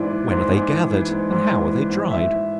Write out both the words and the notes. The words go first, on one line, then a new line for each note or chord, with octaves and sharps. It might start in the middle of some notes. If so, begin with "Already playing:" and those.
When are they gathered, and how are they dried?
Already playing: G#2 E3 D5
E3
G#2
G#2
E3
E3
G#2
G#2
E3
E3
G#2
G#2 E5
E3